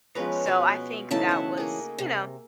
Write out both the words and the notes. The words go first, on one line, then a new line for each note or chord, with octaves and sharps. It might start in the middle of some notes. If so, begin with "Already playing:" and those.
so I think that was, you know,
F3 G#3 B3 C#4 B4 A#5
B2 B4 G#5
C#3 E3 A3 C#4 D#4 A5
E5 F#5
A#3 G#4
C3